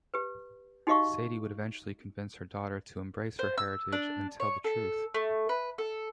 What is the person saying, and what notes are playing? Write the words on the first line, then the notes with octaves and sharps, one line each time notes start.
Sadie would eventually convince her daughter to embrace her heritage and tell the truth.
G4 B4
D#4 F#4 G4 D#5 F5 C#6
C5
E6
D4
C#5
A4
A3
B4
A4